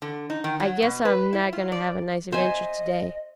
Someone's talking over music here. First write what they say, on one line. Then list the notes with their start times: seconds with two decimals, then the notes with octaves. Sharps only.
"I guess I am not going to have a nice adventure today."
0.02 D3
0.30 D#4
0.44 D#3
0.60 F#3
0.82 B2
1.05 B4
1.33 E4
1.53 F4
1.72 D5
2.32 C5 D#5 E5 G#5